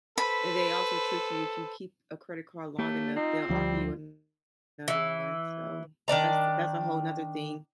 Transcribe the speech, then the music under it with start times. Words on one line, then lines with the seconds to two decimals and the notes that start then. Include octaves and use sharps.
and they also trick you, if you keep a credit card long enough, they'll offer you another one, so that's that's a whole 'nother thing.
0.18 A4 B4 C5 B5
2.78 A3 A#3 G4 C#5
3.16 C4 D#4 F4
3.49 D2 F3 G3
4.88 E3
6.08 D#3 D4 D5 A#5